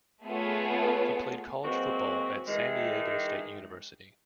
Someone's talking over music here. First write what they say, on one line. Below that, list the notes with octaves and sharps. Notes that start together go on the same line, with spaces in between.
He played college football at San Diego State University.
A3 B3 F4 G#4 C#5
E3 F#3 G#3 A#3 C4 F#4
D#3 E3 G#3